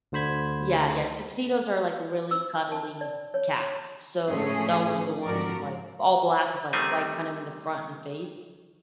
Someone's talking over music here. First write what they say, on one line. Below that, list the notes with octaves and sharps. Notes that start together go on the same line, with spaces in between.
Yeah, yeah, tuxedos are, like, really cuddly cats. So, those are the ones with, like, all black with, like, white kind of in the front and face
D2 D3 C5 B5 G#6
E6
A5
D5
C#5
A2 F3 A3 C#4 G#4
G#2 F3 C4 F#4 A#4 D5
D#3 G3 A3 C4 G#5